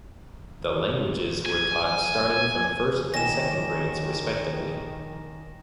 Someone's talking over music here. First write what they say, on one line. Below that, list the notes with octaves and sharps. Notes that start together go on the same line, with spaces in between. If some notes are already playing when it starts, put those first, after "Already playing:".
The languages were taught starting from first and second grades respectively.
G#5
D#3 G3 C#4 A#6 E7